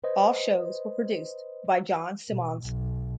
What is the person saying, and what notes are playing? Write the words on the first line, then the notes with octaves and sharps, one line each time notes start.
All shows were produced by John Simmonds.
B4 C5 D#5
B2
B1